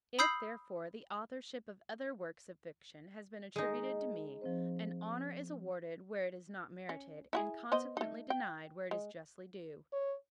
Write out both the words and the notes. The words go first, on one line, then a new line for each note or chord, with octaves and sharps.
If, therefore, the authorship of other works of fiction has been attributed to me, an honour is awarded where it is not merited; and consequently, denied where it is justly due.
B5 D#6 E6 G6 C7 F#7
G#3 D#4
F3 C4 C5
C#4
E4 F#4 G#4
B3 C5 D#5
A3 D#4
G5
G#3
C#5